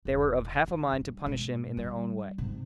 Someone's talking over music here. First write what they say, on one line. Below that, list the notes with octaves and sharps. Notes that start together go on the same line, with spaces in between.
They were of half a mind to punish him in their own way.
E1
D#3
G2
G#2 B2
G3
G#2 C3